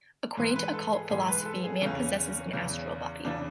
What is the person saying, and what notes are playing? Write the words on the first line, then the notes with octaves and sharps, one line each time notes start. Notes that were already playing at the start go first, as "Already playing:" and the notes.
According to occult philosophy man possesses an astral body.
G#2 E3 B4
B4
A4
G#4
G#2 E3 G#4
B4
B4
A4
G#4
E2 C#3 E3 C#4
E2 C#3 E3
E2 C#3 E3 D4